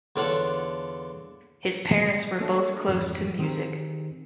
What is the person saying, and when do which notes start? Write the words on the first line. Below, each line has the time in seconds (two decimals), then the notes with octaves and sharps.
His parents were both close to music.
0.16 E2 D3 F4 A4 C#5 F#5
2.40 A3 A#3 D4 F#4 A4
2.87 F2 G#2 C#3 E3 F3
3.39 D#3 C4 G4 G#4 A#4